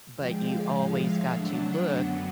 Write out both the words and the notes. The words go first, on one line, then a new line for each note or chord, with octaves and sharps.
But you always got to look
D3 F3 G#3 G5
F5
A2 F3 G#3 F5
E5
D3 F#3 A3 D4 F#5
G5
F#2 D3 F#3 B3 F#5